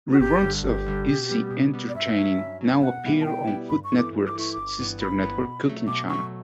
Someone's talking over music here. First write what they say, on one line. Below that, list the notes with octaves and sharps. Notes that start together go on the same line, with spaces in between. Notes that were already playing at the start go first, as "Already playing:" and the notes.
Reruns of "Easy Entertaining" now appear on Food Network's sister network Cooking Channel.
F#4
G1 G4
G2 D3 G3
G1 G4
G2 D3 G3
B2
G3 B3
B2
G3 B3
D5
G2 E5
F#3 C#4
G2
F#3 C#4
B2 F#5
G3 B3 E4 G4
A5
B2 G5
G3 B3 E4 G4
G2 B5
C#6
E3 A3 E4
D6
G2
D6
E3 A3 E4 C#6
G1 D6
G2 E3 B3
G1 B5
G2 E3 B3
B2
F#3 A3
B2 D6
F#3 A3 C#6